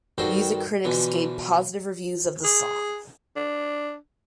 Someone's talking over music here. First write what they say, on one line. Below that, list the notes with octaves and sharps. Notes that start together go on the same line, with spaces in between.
Music critics gave positive reviews of the song.
G2 D#3 F#4 A4 C5 G5
B2 D3 E3 F3
G#4
D4